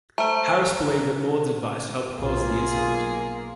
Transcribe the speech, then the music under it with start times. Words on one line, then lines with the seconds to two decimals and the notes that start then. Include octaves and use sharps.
Harris believed that Maude's advice helped cause the incident.
0.18 A3 C5 A#5
2.17 B1 A#3 F4 G#4